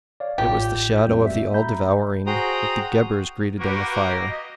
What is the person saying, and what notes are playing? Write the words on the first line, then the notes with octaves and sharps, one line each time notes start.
It was the shadow of the All-devouring that the Gheburs greeted in the fire.
C#5 D5 F5
A1 A2 F4 G4
F2 G3 A3 A#3 C4
F#4 E5 B6
A#5 B5 G6
F#4 G#4 C5 G5 A#5 D#6
A#3 F#4 G4 A#4 B4 C#6
D#5